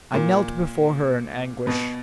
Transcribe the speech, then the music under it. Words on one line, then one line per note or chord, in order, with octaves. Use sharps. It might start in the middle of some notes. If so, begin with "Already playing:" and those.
I knelt before her in anguish.
A#2
B2